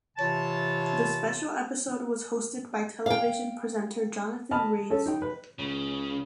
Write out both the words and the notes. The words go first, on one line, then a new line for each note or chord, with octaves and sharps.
The special episode was hosted by television presenter Jonathan Ruiz.
C3 E3 F4 C#5 A5
F5 G5
D#5 A5 B5 F6
C#4 A4
D#4 G5
B4
C#2 C#3